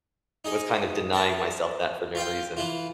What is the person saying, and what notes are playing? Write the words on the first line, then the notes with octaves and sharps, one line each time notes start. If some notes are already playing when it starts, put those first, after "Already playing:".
was kind of denying myself that for no reason.
D#4 G#4 D#5
A#4 E5 A5
F4 F5 G5
E3 E4 F4